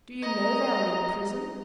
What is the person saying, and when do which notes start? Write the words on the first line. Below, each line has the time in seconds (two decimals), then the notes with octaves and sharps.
"Do you know they are in prison?"
0.23 D#5 A#5